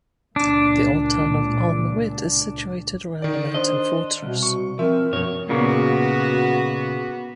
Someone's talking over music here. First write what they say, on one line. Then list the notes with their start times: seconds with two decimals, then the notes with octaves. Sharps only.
The old town of Al-Mahwit is situated around a mountain fortress.
0.36 C#2 A#2 D4
3.22 D#3 D5
3.54 D4 C5 D#5
4.22 C2 B2
4.43 C#6
4.79 F3 C4 A#4 E5
5.13 F#2 B2 C#5
5.49 A#2 C#3 A#3 B3 F#4